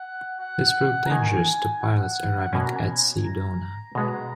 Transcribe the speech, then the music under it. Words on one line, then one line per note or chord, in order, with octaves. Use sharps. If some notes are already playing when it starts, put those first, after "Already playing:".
This proved dangerous to pilots arriving at Sedona.
Already playing: F#5
F#5
A#5
D#3 A#3 D#4 G#5
F#5
F#5
B2 A#3 C#4 G#5
A#5
G#5
A#5
B2 G#3 B3 A#5